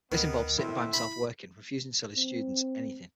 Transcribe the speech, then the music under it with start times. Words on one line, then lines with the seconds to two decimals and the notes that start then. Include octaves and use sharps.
This involved sitting by himself working, refusing to tell his students anything.
0.12 D2 D#3 B3
0.58 A2 C4 E4 E5
0.94 B5
2.16 C4